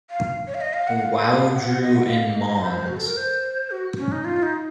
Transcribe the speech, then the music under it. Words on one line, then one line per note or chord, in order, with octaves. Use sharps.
Waudru in Mons.
F5
C#5
F5
D#5
F5
F#5
F5
F#5
F#5
D#5
F#5
D#5
F5
D#5
C5
F#4
A4
A#4
C5
F#4
C#4
D#4
F4
D#4